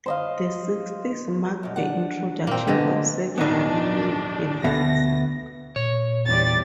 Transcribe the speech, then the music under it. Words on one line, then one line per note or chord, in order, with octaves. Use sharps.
The sixties marked the introduction of several new events.
C5 D#5 F5
F#2 B2
D4 F#5
A#2 A#3 C4 G5
D3 D#3 G#3 A3 B3
A#1 D#2 G#2 B3 D4 D#4
D2 B2 B3 E5 A#6
A#2 C#5
E2 G3 D5 A6